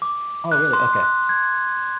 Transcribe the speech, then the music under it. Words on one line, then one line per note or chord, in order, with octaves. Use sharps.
Oh, really? Okay.
D6
F#6
C6
F#6
G#6